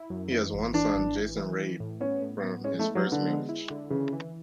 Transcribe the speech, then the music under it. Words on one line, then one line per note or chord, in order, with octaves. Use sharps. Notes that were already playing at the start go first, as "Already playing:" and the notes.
He has one son, Jason Rabe, from his first marriage.
Already playing: E4
F#2
E3
G#1
E3 D4
G#1
E3
E3
E3
A2
B3 C#4
A2
B3
G#3 C#4
A3
E4
F#3
B3
D3
G#3
E4
D3
C#3 E3
E3